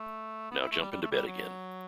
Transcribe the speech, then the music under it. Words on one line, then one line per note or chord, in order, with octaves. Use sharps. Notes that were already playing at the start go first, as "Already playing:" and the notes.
Now jump into bed again.
Already playing: A3
B3
E4
A3
G3
G3
A3
G3
F#3